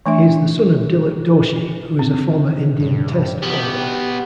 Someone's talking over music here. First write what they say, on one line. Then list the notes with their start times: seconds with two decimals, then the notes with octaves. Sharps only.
He is the son of Dilip Doshi, who is a former Indian Test bowler.
0.06 E3 A3 D4 E5
1.99 C4
2.80 G2
3.42 B1 B3 G4